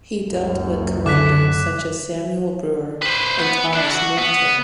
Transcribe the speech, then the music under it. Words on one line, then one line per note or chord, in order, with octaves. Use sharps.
He dealt with collectors such as Samuel Brewer and Thomas Knowlton.
F#1 C#2 F#2
D3 D6 F#6 B6
B4 C5
B3 B4
D4 E4
F#4
B3